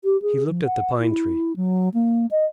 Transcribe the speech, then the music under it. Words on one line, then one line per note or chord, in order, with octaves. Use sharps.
He looked at the pine-tree.
G4
G#4
F3
F#5
E4
F#3
A#3
D#5